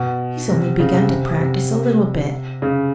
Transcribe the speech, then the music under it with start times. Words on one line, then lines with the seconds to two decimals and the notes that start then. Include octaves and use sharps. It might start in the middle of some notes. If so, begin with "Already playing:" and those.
He's only begun to practice a little bit.
Already playing: B2
0.49 C3
0.79 C#3
0.94 C3
1.09 C3
1.40 C3
2.62 C#3